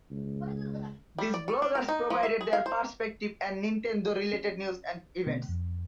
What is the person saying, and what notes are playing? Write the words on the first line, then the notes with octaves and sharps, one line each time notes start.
These bloggers provided their perspective to Nintendo-related news and events.
C#2
G3
D5
A4
D4
A#4
D#4
F3
E5
G#4
F5
C5
C#4
B2 D3 A3 B3
F2